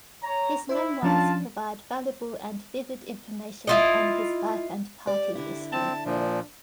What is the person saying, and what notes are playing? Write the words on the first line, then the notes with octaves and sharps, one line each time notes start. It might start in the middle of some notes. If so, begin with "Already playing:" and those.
His memoirs provide valuable and vivid information on his life and party history.
C#5 A#5
E4 C5 E5
F3 C#4 D4 F4 A5
E4 F4 D#5
G4 D5
D3 E4
C4 A5
A#2 F3 D4